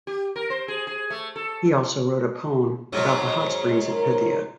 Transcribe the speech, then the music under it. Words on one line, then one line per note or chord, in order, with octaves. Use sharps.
He also wrote a poem about the hot springs at Pythia.
G4
A#4
C5
G#4
G#4
A3
A4
G#2 F#3
A#4